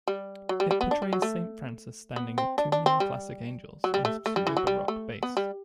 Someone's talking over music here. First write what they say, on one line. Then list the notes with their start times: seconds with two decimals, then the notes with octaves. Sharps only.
It portrays Saint Francis standing with two neoclassic angels, on a pseudo-baroque base.
0.08 G3
0.49 F#3
0.60 G3
0.71 G3
0.81 B3
0.91 D4
1.02 G3
1.13 F#3
1.22 A3
2.16 B3
2.38 C4
2.58 D4
2.72 D4
2.86 C4
3.00 G3
3.84 F#3
3.94 G3
4.05 A3
4.26 A3
4.36 G3
4.47 E3
4.57 F#3
4.67 G3
4.88 A3
5.23 B3
5.37 G3